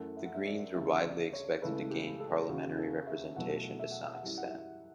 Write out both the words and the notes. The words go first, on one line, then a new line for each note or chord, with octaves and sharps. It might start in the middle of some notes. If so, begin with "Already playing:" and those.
The Greens were widely expected to gain parliamentary representation to some extent.
Already playing: F#2 E3 A3 F#5
E5
F#5
E5
D5
D2 C#3 G3 E5
D5
C#5
C#2 C#3 E3 A3 B4
G4
A4
E2 C#3 E3 F#4
A4
E5
E2 B2 F#3 A3 F#5
E5
F#5
E5
F#5
F#2 E3 G3 E5
F#5
E5